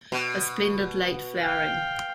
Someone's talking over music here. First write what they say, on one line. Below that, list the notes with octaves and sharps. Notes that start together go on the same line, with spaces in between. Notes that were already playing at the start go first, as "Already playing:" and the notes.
A splendid late flowering.
B2
F5 G5